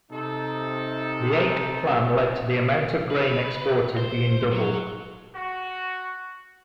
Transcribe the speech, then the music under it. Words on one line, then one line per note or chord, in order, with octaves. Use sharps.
The eighth plan led to the amount of grain exported being doubled.
C3 D#4 A4
B4
C5
F#3
F#4